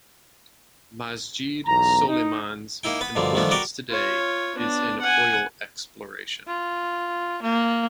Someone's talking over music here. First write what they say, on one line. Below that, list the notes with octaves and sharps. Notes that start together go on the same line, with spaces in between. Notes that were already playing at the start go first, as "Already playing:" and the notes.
Masjed Soleyman's importance today is in oil exploration.
B1 E2 A#5
D#4
A#3 D#4 E4 G5
B3 B4 B5
G2 B2 D3 F3 A#3
D#3 F3 G3 A3 B3 D4
F#4 G4 A#4 B4 D5 G5
F4 C#5
B3 D4
F#5 G#5
F4
A#3